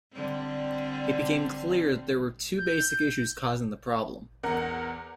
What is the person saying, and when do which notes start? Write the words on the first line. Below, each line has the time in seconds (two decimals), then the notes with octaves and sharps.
It became clear that there were two basic issues causing the problem.
0.13 D3 G3 C4
2.58 G6
4.43 E2 A#4 F#5